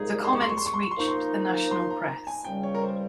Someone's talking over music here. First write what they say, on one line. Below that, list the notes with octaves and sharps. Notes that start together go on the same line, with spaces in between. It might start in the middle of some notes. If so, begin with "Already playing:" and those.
The comments reached the national press.
Already playing: C2 A#2 G#3 D#4 G#4
C6
C#6
C6
C#6
C6
C#6
C6
C#6
C6
F3 A#3 D#4 C#6
C6
C6
A#5
A#5
G#5
C#2 C#3 G3 G5
C#5
A#4
C5